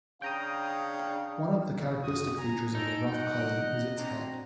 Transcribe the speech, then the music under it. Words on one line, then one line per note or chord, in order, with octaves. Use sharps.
One of the characteristic features of the Rough Collie is its head.
C#3 D4 F5 G5 A#5 D#6
F#2 F#4 D#6
G#5 A#5
G2 D#4 A4 D7
D#5 F#5
C4 D4 F#4 A#5